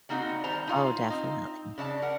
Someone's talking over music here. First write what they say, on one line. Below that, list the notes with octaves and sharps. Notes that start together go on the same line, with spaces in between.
Oh, definitely.
G3 A#3 C4 D#4 F4 F#4
D#3 G3 C5 A5 A#5
D#4 F4 F5
C4 D#4
C#3 D4 D#4 A5
A#4 F#5